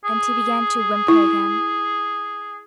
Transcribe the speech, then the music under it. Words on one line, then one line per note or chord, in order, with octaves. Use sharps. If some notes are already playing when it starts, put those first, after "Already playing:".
And he began to whimper again.
G#4
E4